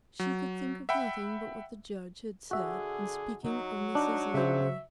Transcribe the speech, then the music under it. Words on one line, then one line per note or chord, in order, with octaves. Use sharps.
She could think of nothing but what the judge had said, in speaking of Mrs. Linley.
F#3
E5 F#5 G5 B5
D3 F#4 G#4 E5
F#3 D#4
D4 D#4
C#3 C5 E5